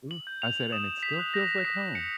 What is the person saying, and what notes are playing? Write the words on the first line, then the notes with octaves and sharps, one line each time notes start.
Ooh. I said, and it still feels like home.
F#7
G6
F7
D#6 E7
B6
F#6
A#6
D#6 B6
C#7